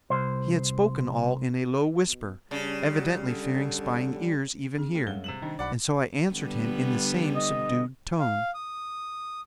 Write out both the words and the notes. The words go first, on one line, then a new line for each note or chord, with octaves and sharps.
He had spoken all in a low whisper, evidently fearing spying ears even here, and so I answered him in the same subdued tone.
C2 C5
B2
C#3 G3 D4
F#3
D3
G3
C4 D4 G#4
A3 G#4 A4
F#2 G3 G#3 G7
C3 E7 F#7
D#3 D4 C5
B1 D#4 D5 F#5 B5
D3 G3 B3
D#5
F5
D#6